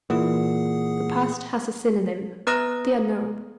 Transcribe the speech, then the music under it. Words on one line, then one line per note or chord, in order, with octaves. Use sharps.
The past has a synonym, the unknown.
A#2 E3 G#4 F#5 D#6
B3 B4 A#5 D#6 F#6 A#6